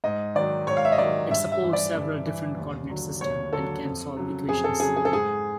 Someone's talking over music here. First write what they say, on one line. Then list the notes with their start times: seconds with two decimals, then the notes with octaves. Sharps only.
It supports several different coordinate systems, and can solve equations.
0.04 G#2 D#5
0.35 D#3 F#3 D5
0.67 G#2 C#5
0.77 F5
0.85 E5
0.92 D#5
0.98 D#3 F#3 D5
1.30 G2 E5
1.52 E5
1.62 E3
1.73 D5
1.95 G2
2.26 E3
2.57 D#2
2.89 D3 F#3
3.21 D#2 C#5
3.53 D3 F#3 A4
3.84 F2
4.17 C#3 F#3
4.49 F2 G#4
4.64 A4
4.80 C#3 F#3 G#4
4.96 G#4
5.05 A4
5.12 G#2 G#4